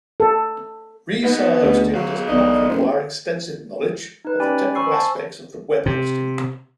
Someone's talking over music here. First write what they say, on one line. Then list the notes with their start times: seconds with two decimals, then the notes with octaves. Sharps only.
Reseller hosting does not require extensive knowledge of the technical aspects of web hosting.
0.20 A4
1.24 B3 D#4 B4 D#5
1.62 D2 G#4
1.95 B2 F#3 F5
2.29 B1 D5 D#5
2.69 F#1 C5
4.25 D#4 B4
4.40 C#4 G4 D5 G5 G#5 B5
4.75 C5 G#5 B5 C#6 E6 C7
4.93 A5
5.86 C3